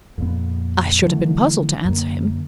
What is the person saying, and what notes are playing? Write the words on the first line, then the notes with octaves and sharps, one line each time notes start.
I should have been puzzled to answer him.
F2 A#2 B3
D3 E3 F#3 A3
F#2 D3 A#3